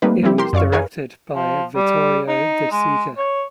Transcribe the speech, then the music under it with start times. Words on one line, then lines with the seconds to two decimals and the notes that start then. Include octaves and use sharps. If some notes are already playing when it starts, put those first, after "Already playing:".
It was directed by Vittorio De Sica.
0.02 G3 A3 A#3 C4 D#4 B4
0.23 F3 G3 C4 E4 G4
0.38 G4 A#4 C6
0.53 F#2 D5 F5 C#6
0.72 G#4 A#4 B4 C#5 F5 G#5
1.35 F3
1.76 G3
2.28 D#4
2.71 G#3
3.17 C#5